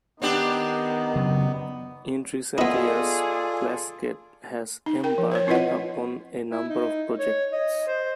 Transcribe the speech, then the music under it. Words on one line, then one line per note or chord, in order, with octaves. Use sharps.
In recent years, Plaskett has embarked upon a number of projects.
D#3 B3 C4 D4 G4
C#3 F#3
B3 E4 F4 G#4 A4 D5 D#5
D#4
A#4 G5
F3
C5 C#5
C4 E4 F4 B4 D#5 F#5
E4
D#4
C#5
D#5
C5